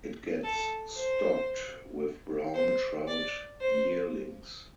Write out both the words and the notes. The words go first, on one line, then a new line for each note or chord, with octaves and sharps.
It gets stocked with brown trout yearlings.
A4
C5
C5
D5
C5